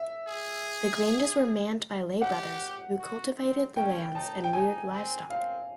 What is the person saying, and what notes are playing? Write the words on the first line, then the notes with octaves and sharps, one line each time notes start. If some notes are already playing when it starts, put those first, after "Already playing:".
The granges were manned by lay-brothers, who cultivated the lands and reared livestock.
Already playing: E5
G#4
G4 F#5
F#4
C4
C#4 G5
D#4 A5
G5
D#4 G#5
C4
C4 F5